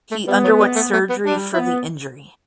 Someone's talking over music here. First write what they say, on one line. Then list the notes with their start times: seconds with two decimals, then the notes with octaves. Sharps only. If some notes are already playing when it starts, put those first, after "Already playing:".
He underwent surgery for the injury.
0.11 A3
0.27 G3 B3
0.44 F#3
0.60 G3
0.75 A3
0.93 A3
1.09 B3
1.25 G3 D4
1.53 E4
1.58 B3